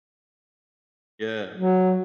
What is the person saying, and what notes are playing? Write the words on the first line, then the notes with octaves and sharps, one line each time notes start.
Yeah, wow.
F#3